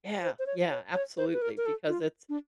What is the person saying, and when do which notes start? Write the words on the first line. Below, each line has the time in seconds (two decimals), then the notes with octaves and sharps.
Yeah yeah, absolutely, because it's
0.23 C5
0.39 C5
0.46 C#5
0.70 C#5
0.94 C#5
1.17 C5
1.33 B4
1.42 A#4
1.57 A#4
1.66 A4
1.89 F4
2.29 D4